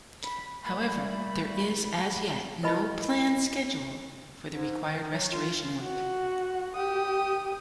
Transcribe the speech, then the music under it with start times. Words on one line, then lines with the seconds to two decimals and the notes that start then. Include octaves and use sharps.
However, there is as yet no planned schedule for the required restoration work.
0.24 B5
0.66 A#2 G3 A3 B5
2.63 E4 A#4 B4 D#5 A5 B5
4.53 G#2
4.92 D#3
5.13 F#3
5.32 F4
5.81 F#4
6.75 G4 D#6